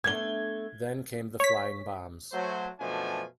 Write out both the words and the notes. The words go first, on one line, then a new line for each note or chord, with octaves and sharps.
Then came the flying bombs.
A3 B3 D4 G#6 G7
C#5 B6
F#3 A3 C5
F#2 B2 F3 A3 D4 G#5